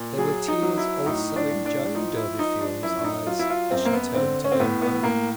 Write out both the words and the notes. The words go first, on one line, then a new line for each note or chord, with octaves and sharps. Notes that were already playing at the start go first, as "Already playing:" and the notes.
There were tears also in Joan Durbeyfield's eyes as she turned to go home.
Already playing: A#2
F#3 G#4
D#4
F#3
E4
A2 D#4
D4
A2
D4
F3 D#4
E4
F3 D#4
D4
F#2 E4
D4
D#4
F#3 F4
E4
F4
F#2 C4
A#3
B3
D3 C4
C#4
C4
A2 B3
B3
A2 A#3